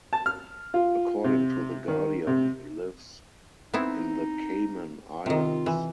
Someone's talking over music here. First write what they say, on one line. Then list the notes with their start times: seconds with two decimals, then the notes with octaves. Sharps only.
According to The Guardian he lives in the Cayman Islands.
0.13 A5
0.26 F6
0.74 F4
1.24 C3
1.88 D#3
2.27 C3
3.73 B3 C4 D#4 E4
5.26 C3 D#3 F4
5.66 E3